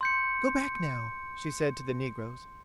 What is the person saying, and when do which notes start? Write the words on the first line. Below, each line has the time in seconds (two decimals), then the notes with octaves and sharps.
"Go back now," she said to the negroes.
0.01 C6 G6 C#7